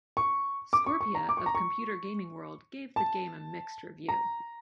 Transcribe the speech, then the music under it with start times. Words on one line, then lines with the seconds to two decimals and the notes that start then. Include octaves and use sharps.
Scorpia of "Computer Gaming World" gave the game a mixed review.
0.17 C#6
0.73 D6
0.86 C#6
1.01 C#6
1.15 A#5
1.29 D6
1.37 C#6
1.46 A#5
1.55 C#6
2.96 A5
4.08 A#5